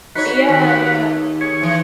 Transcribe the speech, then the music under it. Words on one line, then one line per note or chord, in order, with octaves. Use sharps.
Yeah, yeah,
D#4 F#4 B4 C#5
D#2
G#4 C#5
E3